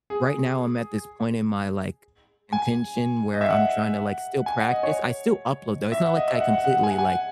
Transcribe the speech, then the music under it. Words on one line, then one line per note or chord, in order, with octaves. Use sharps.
Right now I'm at this point in my, like, intention where I'm trying to, like, still practice, I still upload though, it's not, like, I completely, like,
G#4
G#5
D#5
E5
F#5
G#5
F#5
D#5
C#5
E5
F#5
D#5
E5
F#5
F#5
F#5
F#5
G#5
F#5
G#5
F#5